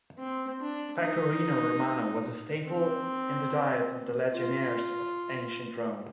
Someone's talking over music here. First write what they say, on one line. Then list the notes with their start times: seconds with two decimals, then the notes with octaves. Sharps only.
Pecorino Romano was a staple in the diet for the legionaries of ancient Rome.
0.19 C4
0.60 D4
1.01 D#4
2.67 C4
4.32 F4